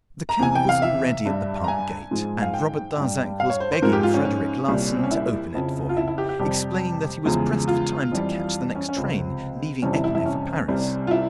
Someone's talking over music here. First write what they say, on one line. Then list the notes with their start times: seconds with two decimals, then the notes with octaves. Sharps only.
The cab was already at the park gate and Robert Darzac was begging Frederic Larsan to open it for him, explaining that he was pressed for time to catch the next train leaving Epinay for Paris.
0.29 A#5
0.40 E2 C3 E3 G#5
0.55 G5
0.69 F5
0.82 E5
1.26 G2 G3
1.64 A#5
1.68 G#5
2.11 G#2 F3 G#3
2.42 F5
2.54 G5
2.97 G2 G3
3.40 F5
3.50 C#5
3.60 C5
3.72 C5
3.82 G#2 F3 G#3 A#4
3.93 G4
4.03 F4
4.14 C#4
4.25 C#4
4.68 C2 A#2 G3
4.96 C4
5.04 C#4
5.11 E4
5.54 F2 C#3 F3
5.89 F4
5.97 E4
6.08 E4
6.18 G4
6.29 G4
6.39 F2 C3 G3 G4
7.25 E2 C#3 F3 G#3
7.68 F4
8.11 F2 E3 G3
8.75 C#4
8.89 C#4
8.96 C#2 C3 F3 C4
9.82 F2 C3 E3 G3 C#4
9.93 E4
10.04 E4
10.15 E4
10.26 C#4
10.68 C2 C3 G3
11.07 F4
11.11 E4